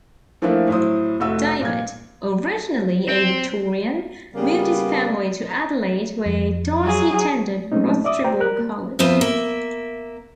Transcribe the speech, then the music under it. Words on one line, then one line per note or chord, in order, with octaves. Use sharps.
David, originally a Victorian, moved his family to Adelaide where Darcy attended Rostrevor College.
E3 F3 A3 A#3 D4 E4
A2 F#3 E4 C5 D#6
F1 A3 F#4 E6
A#2 G#6
C4
C#3 G3 A#3 B3
F2
F#3 G#4
F#3 G#3 A3 C4 C#4 D#4
D5 E5 D6 D#6
F#4 C5 G5 A#5
A#4 F#6
A#3
F2 B3 F4 C5 E5
A#3 E5